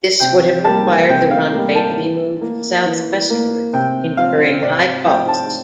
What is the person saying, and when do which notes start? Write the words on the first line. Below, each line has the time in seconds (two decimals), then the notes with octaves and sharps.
This would have required the runway to be moved southwestwards, incurring high costs.
0.20 C3 G5
0.64 G3 A#3 A5
1.08 C3 G5
1.31 F5
1.53 G3 A#3
1.75 A5
1.97 E3
2.41 A#3
2.86 E3
3.30 A#3
3.73 C3 G5
4.17 F3 C4 F5
4.61 C3 D5
5.06 F3 C4 G5
5.28 A5